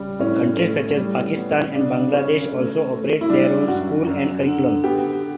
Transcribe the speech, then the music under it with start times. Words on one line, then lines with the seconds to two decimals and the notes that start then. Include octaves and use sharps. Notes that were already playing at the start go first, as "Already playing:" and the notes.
Countries such as Pakistan and Bangladesh also operate their own schools and curriculum.
Already playing: C#3 G3
0.19 A2 C#4
0.59 A3
0.97 G3
1.36 B3
1.75 C#3 D4
2.13 C#3 C#4
2.52 A3
2.91 A3
3.21 E4
3.29 G3 D4
3.68 F#2 F#4
4.06 F#2
4.45 D3
4.84 B3 G4